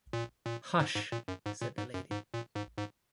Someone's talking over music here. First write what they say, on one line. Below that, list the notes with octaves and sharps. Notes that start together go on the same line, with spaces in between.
'Hush!’ said the lady.
A#2
A#2
G#2
G#2
A#2
F#2
G#2
A#2
G#2
F#2
G#2
A#2
G#2
G#2